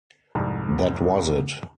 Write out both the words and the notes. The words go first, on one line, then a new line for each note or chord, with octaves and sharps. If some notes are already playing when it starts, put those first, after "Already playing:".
That was it.
C2 F2 G#2